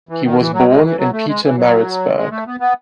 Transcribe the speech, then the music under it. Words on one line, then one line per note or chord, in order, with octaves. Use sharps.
He was born in Pietermaritzburg.
E3
D#3
E3
F#3
G#3
E3
F#3
A3
G#3
E3
F#3
G#3
A3
B3
B3